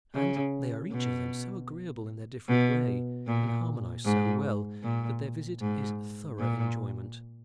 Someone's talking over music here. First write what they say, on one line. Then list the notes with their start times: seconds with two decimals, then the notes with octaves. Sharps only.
And they are each of them so agreeable in their different way, and harmonise so well, that their visit is thorough enjoyment.
0.14 C#3
0.92 B2
2.48 B2
3.27 A#2
4.04 G#2
4.83 A#2
5.61 G#2
6.39 A#2